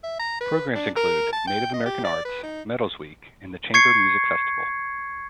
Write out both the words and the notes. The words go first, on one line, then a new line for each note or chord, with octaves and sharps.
Programs include: Native American Arts, Metals Week and the Chamber Music Festival.
E5
A#5
B4
D4
A#4
A5
G5
D#5
G4
D5
B4
D#4
C#6 G#6 C7 C#7